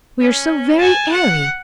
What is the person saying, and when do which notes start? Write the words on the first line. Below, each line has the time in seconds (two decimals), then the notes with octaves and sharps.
We are so very airy!
0.20 C#4
0.78 G#5 A5
1.12 F#5